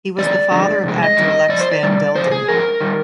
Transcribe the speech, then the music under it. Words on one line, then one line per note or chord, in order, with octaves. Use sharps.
He was the father of actor Lex van Delden.
F2 D#3 G#3 D5
F2 D3 G#3
F2 C3 G#3
D#5
G2 D#3 G3
G2 F3 D5
C5
D5
C3 D#3 G3
C3 F3 G#3 C5
G#4
G#2 F3 A#4
D#3 G3